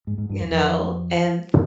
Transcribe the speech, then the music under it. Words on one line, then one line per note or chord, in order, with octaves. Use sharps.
you know, and
G#2
G#2
G2
F2
F2